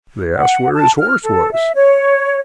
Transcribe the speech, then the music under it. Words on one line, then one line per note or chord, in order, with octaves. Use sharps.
They asked where his horse was.
F#5
A5
F6
A4
E5
C#5